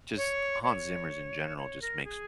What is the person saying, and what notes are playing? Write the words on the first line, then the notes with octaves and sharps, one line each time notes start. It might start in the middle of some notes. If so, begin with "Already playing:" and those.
just Hans Zimmer's in general just makes
C#5
C#5
C#5
A#4
G#4